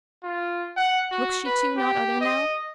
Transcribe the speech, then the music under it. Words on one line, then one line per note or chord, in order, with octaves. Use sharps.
Looks she too not other now?
F4
F#5
F#4
B4
G4
D#5